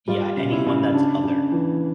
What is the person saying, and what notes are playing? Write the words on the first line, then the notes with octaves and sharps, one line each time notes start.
Yeah, anyone that's other.
G3 F4
C#3
E4
C#3
C#3 D4
C#3
E3